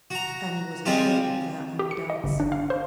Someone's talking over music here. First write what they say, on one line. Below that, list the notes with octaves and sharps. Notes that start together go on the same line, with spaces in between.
Fanny was ashamed of her own doubts.
F#4 A#5
G3 G#3 C4 F4 G4
G4
C#7
D#5
G1
D4
F5
C5